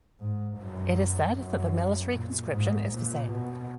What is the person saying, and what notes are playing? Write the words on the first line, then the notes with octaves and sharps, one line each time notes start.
It is said that the military conscription is the same.
G#2
F#2
F#2
A#2
G#2
A#2
B2